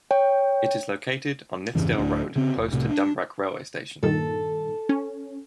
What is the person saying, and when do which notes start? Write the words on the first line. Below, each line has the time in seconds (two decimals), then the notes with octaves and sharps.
It is located on Nithsdale Road, close to Dumbreck railway station.
0.11 C#5 G5
1.75 F2 G#2 C#3 E3
1.98 D1 D2 D4
2.36 C#3 C4
2.57 F1
2.72 C2 A2 C3
2.89 D4
4.03 G2 A#2 D#3 A4
4.89 C#4